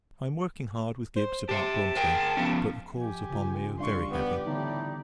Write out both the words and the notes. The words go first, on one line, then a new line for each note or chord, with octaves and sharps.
I am working hard with Gibbs about Bronte, but the calls upon me are very heavy.
C5
G4 C5 A5
G#4 A#4 G5
F3 B3 C#4
F3 G4 G#5
C#3 F4
G3 D4 F5 C6 C#6
B3 G4 D5
A2 D3 E3 B3 D#4